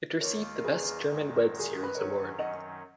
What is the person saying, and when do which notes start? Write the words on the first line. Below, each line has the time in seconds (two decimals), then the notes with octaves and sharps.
It received the Best German Web Series award.
0.20 D#2 D#3 A#3 F4 A#4 C#5
0.58 A#4
0.64 G#4 B4
1.08 F#2 D#3 G#3
1.59 G#4
1.72 A#4
1.83 B4
1.95 F#2 D#3 F#3 C#4 A#4 C#5
2.38 D#5 F#5